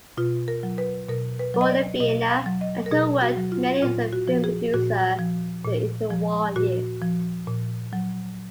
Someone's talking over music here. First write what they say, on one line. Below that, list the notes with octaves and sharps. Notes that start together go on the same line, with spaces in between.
Born in Vienna, Antel worked mainly as a film producer in the interwar years.
B2 F4
A#4
F#3
B4
B2 A#4
B4
F#3
D#5
D5
B2 D#5
F5
F#3
D#5
A#4
B2 G#4
F#4
F#3
F4
A#2 F4
F#4
F3
G#4
A#2 F#4
F3
A#2
F3
A#2 F#4
F3
A#2
F#3